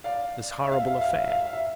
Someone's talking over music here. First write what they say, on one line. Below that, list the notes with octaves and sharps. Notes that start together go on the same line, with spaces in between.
This horrible affair.
D5 F5
E5
F5
E5
F5
E5
F5
E5
F5
E5
F5
E5
F5
E5